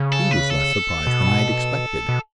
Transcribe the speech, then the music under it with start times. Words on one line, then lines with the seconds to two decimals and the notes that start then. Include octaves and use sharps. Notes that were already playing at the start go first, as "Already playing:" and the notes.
He was less surprised than I had expected.
Already playing: C#3
0.12 A4
0.31 B4
0.50 A4
1.07 B2
2.09 B2